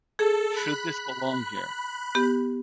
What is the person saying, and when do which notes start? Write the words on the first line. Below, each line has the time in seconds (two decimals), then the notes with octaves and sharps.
"Should this belong here?"
0.19 G#4 A4
0.56 B5 F#6
2.15 B3 G4